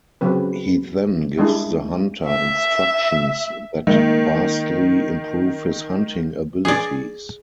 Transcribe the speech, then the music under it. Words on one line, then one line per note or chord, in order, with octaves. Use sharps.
He then gives the hunter instructions that vastly improve his hunting abilities.
C#3 F#3 C4 B4
G3 G#3 D4 E4 G#4
E5
D#3 G#3 A#3
G#4 D5